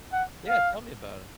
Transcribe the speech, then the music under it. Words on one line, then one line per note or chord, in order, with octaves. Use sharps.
Yeah, tell me about it.
F#5
F5